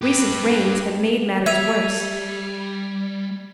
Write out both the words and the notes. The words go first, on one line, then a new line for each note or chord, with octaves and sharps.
Recent rains had made matters worse.
G4 B4
G3 E5 G#6 D#7 F7